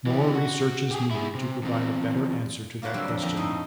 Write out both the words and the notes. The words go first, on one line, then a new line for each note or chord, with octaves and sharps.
More research is needed to provide a better answer to that question.
E3 G4
F#4
G4 G#4
E4 G#4
C3
E2 C4
A#3 F4 F#4 B4 C5
D3 F#3 G3 C4
F2
F2 B3 G5 A#5
A2 D#4 C6
B2